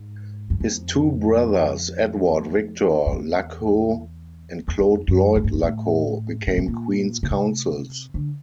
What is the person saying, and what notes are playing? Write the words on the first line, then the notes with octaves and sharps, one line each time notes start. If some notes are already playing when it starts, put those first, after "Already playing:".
His two brothers, Edward Victor Luckhoo and Claude Lloyd Luckhoo, became Queen's Counsels.
Already playing: G#2
F#2
F2
F2
E2
E2
F2
F#2
G2
G#2
G2
A2
A#2
B2
A#2
B2
C3
D3